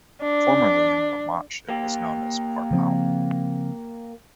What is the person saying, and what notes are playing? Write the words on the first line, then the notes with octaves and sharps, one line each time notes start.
Formerly in Romansh it was known as "Parpaun".
D4
A#3 G4
C#3 F3 C4